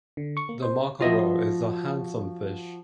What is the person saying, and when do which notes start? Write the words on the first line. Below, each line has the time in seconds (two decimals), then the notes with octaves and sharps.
The mackerel is a handsome fish.
0.17 D3
0.37 C#6
0.49 A#3
0.62 C5
1.01 F3 F4 F#4 D#5 E5